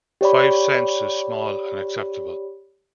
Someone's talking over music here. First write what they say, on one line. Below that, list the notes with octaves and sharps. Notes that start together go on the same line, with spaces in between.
Five cents is small and acceptable.
G4 C#5 D5 B5